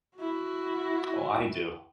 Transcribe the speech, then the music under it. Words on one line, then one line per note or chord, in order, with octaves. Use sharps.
Oh, I do.
E4 F#4